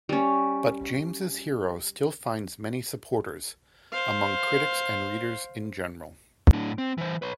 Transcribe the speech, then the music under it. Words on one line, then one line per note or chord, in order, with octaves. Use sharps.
But James' hero still finds many supporters, among critics and readers in general.
G3 C#4
C5 F5
A2 D4
C4
E3 C5
B4 C#5